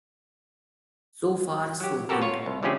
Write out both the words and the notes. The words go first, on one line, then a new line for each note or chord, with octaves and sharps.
So far so good.
F#3 G4
B3 C4 F#4 G4 A4 A#4
F4 C#5
C2
D3 F3 A3 C#4 G4 G#4